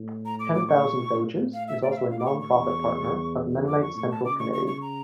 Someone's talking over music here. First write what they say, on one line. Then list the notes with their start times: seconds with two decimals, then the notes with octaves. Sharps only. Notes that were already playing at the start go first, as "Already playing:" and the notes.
Ten Thousand Villages is also a nonprofit partner of Mennonite Central Committee.
Already playing: A2
0.25 A#5
0.40 D6
0.54 D6
0.68 C#6
0.82 A#2
1.11 A2
1.54 F5
1.68 E5
1.82 D5
1.91 F5
1.97 E5
2.11 F5
2.19 D6
2.26 C#6
2.40 C#6
2.54 E2
3.67 F2 D6
3.82 C#6
3.96 A2 C#6
4.11 A5
4.25 C#3 D6
4.39 C#6
4.53 C#6
4.67 C#6
4.81 A#5